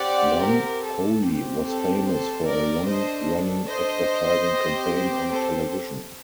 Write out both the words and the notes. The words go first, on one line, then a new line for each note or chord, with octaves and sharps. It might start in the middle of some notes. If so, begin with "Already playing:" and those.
Lunn Poly was famous for a long running advertising campaign on television.
Already playing: C4 G4 D5 F#5
A#4
A4
C4 G4
A4
A4 C5
A#4 D5
D4 A4 C5 D#5
C5 D#5
C4 G4
A4 C5